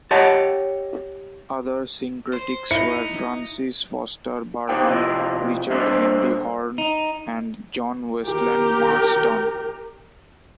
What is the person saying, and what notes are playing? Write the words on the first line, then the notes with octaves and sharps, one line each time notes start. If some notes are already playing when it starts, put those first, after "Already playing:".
Other Syncretics were Francis Foster Barham, Richard Henry Horne, and John Westland Marston.
G4 C#5 D#5 F#5 G5 A5
C5
D#4 E4 C#7
D#4 G4 C5 F5 G5
C3 F3 E4 F4 G4 D#5
G3 D4 A4 C5 D#5 E5
D#4
G4 A#4